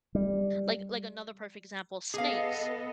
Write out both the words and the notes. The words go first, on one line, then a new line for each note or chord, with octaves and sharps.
Like like, another perfect example, snakes,
G3
B3 G#4 A4 D#5 F5